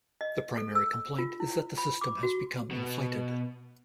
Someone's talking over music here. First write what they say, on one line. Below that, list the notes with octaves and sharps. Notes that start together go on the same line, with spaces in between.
The primary complaint is that the system has become inflated.
D#5
A4
E6
F4
E4
B5
D6
F#4
B2